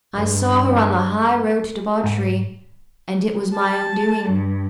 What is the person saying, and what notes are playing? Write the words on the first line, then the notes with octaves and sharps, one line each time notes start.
I saw her on the high road to debauchery, and it was my own doing!
G2
G#2
A5
G2